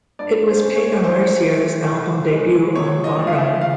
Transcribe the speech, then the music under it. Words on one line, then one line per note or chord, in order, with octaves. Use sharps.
It was Peadar Mercier's album debut on bodhran.
G2 D5
C5
C#4
C#5
E3 C5
A3
C2
G#3
C3 C#5
D#5
F3
F5
E5
F5